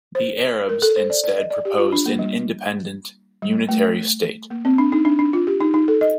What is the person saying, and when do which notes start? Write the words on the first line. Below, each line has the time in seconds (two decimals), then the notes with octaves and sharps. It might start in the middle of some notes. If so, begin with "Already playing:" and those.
The Arabs instead proposed an independent unitary state.
0.15 C5
0.69 A#4
0.82 A4
0.96 C5
1.10 D5
1.24 D5
1.37 D#5
1.51 D5
1.65 G4
1.78 F4
1.92 D4
2.06 A#3
2.19 G3
3.42 G3
3.69 A3
4.50 A#3
4.65 C4
4.78 D4
4.92 D#4
5.05 D4
5.19 D4
5.33 F4
5.47 G4
5.60 D#4
5.74 D#4
5.88 A4
6.01 D#5